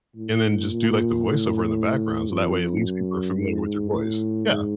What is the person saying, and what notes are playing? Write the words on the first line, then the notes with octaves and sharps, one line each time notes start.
And then just do, like, the voiceover in the background so that way at least people are familiar with your voice. Yeah.
A2
A#2
A2
F2
F#2
G#2
A2
G#2